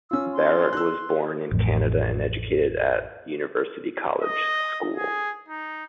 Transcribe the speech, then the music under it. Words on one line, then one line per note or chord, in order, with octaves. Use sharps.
Barrett was born in Canada and educated at University College School.
C#4 F4 E6
C6
E6 F#6
A1 F2 A2
D#5
G#4
D#4